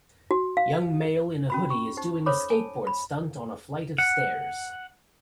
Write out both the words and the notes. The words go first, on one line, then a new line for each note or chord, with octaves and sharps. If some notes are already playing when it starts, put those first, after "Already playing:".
Young male in a hoodie is doing a skateboard stunt on a flight of stairs.
F#4
F5
C#4 F#4 B5
C#6
D#4 G4 C5
A4 C5 C#5 B5 D6
G#5 A5
B5
F#5